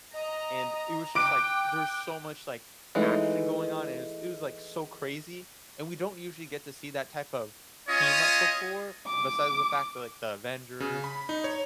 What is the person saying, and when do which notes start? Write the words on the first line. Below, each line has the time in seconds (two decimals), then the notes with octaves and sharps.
and it was just like, there's so much, like, action going on, and it was it was, like, so crazy, and we don't usually get to see that type of team-up before, besides the fact that, like, the Avengers,
0.13 D#5 A#5
1.15 G5 D6 F#6 D7
2.95 E3 G#3 A3 D#4
7.88 C#4 F4 C#5 D#5 D#6
9.07 D6
10.80 C#3
11.04 B5
11.29 D#4
11.44 C#5